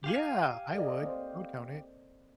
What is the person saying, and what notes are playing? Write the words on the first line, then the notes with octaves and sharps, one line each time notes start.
Yeah, I would, I would count it.
G4 F5 G#5
A4 D5 D#5
A#3 C4 C5